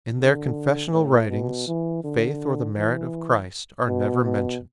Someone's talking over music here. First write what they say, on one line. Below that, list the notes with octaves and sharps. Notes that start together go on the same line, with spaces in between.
In their confessional writings faith or the merit of Christ are never mentioned.
D3
A2
B2
E3
D3
E3
B2
B2